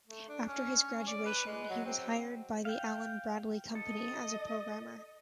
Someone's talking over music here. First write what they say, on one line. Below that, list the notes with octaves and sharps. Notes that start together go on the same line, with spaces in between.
After his graduation, he was hired by the Allen-Bradley company as a programmer.
A3
D4
C#4
D5
B4
G#3
F#3
C4
F5 G5
A4 D#5